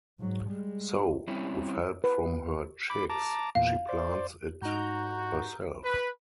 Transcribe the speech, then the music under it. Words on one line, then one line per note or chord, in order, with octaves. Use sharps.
So, with help from her chicks, she plants it herself.
G#2 F#3
G3 G#3
G3 C4 C#4 E4
B4
B5 D6
A5 A#5 D6
E2 A#2 F5
C5 D5
A1 G#2 D#4 F#4 A#5 G6
B4